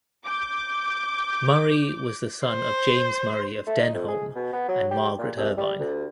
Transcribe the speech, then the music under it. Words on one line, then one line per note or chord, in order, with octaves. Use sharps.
Murray was the son of James Murray of Denholm and Margaret Irvine.
D6 G6
C5
A3
D#4
F2
G#4
B2
B3
F#3
G4
A#2
C2
G3
D2